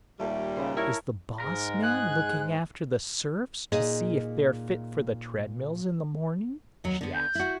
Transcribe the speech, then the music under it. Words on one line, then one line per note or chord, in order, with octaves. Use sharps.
"Is the boss-man looking after the serfs, to see if they're fit for the treadmills in the morning?" she asked.
D#2 A#2 G3 A3 F5
C#3 B4 C5 A#5
E4 A#4 C#5 A5
G#2 G#3 A#4
G#4 F#6
A#2 D#4 G#4 D#5
D#2 F#3
D3 B3
G6
E4 F#4